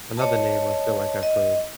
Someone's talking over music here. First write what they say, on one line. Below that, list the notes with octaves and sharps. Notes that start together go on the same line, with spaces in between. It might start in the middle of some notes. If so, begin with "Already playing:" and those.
Another name I feel like I've heard.
C#5 D#5 A5
D#5